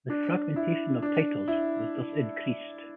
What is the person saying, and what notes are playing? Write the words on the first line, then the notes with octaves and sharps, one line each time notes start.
The fragmentation of titles was thus increased.
D4
E4
D4
E4